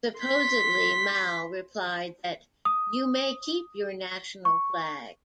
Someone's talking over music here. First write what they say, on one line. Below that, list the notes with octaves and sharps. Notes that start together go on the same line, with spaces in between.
Supposedly Mao replied that "you may keep your national flag".
C6 B6
D#6
C#6